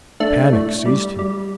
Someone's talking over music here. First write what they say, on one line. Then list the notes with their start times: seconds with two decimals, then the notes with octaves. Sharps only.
Panic seized him.
0.20 A3 D4
0.53 A2
0.85 G3
1.19 G3